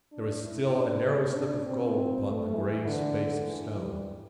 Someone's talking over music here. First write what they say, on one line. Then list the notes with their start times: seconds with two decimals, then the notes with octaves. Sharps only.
There was still a narrow slip of gold upon the grey space of stone.
0.12 D4
0.43 E4
0.74 D4
1.34 D4
1.65 C4
1.95 C4
2.26 A3
2.56 E3
2.86 D3
3.48 E3
3.78 G3